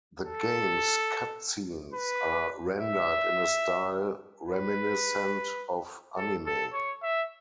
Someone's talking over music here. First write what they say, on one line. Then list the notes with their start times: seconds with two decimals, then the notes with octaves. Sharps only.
The game's cutscenes are rendered in a style reminiscent of anime.
0.23 A4
1.94 B4
2.78 E5
4.48 B4
6.17 A4
6.46 A4
6.73 C#5
7.03 E5